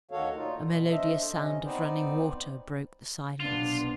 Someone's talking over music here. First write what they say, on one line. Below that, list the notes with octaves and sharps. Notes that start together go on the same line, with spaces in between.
A melodious sound of running water broke the silence.
D2 D#3 F#4 A4 C#5 F5
A#2 D#4 F4
B2 E3
D4 A4 C5 D#5 E5
C3 C#4 D#5
B3 C4 D#4 B4 C5 D5
B1 C3 B3 D4 F4